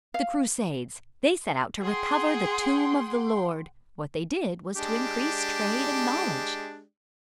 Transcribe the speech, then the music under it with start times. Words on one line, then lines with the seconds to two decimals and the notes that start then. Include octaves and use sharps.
The Crusades--they set out to recover the tomb of the Lord!--what they did was to increase trade and knowledge.
0.14 F5
1.81 G#4 F#5 G5 C6
4.76 G#3 D4 G4